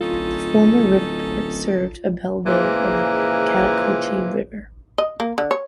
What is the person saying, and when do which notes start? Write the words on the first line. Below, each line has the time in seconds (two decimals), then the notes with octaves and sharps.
The former river port served Abbeville on the Chattahoochee River.
0.01 D1 C#4 D#4 F4 A4
2.46 A#2 C#3 E3 F3 G#3 A#3
4.98 D#5
5.20 A#3
5.38 D3
5.51 C#5